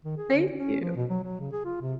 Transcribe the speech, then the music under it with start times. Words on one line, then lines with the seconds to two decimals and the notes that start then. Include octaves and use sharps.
Thank you.
0.05 D#3
0.17 G#4
0.34 D3
0.54 C#4
0.81 F3
0.96 B2
1.10 F#3
1.23 F#3
1.40 C#3
1.52 G#4
1.65 F4
1.81 C3